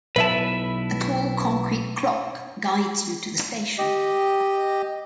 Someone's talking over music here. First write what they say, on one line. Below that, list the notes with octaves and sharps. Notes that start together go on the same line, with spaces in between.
A tall concrete clock guides you to the station.
B1 E4 B4 E5 A5
G4 D#5